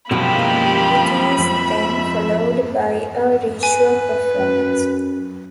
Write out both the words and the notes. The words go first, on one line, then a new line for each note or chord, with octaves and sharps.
It is then followed by a ritual performance.
F#2 B2 F3 G#3 A#3 E4 G4 B5
F2 E5
B4 G#5
F#2